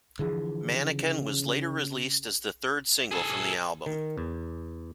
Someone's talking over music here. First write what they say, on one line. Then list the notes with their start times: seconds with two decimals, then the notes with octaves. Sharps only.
"Mannequin" was later released as the third single from the album.
0.19 D3 E3 F3 G#4
0.71 C#3
3.11 G#4 A4
3.86 D#3
4.18 E2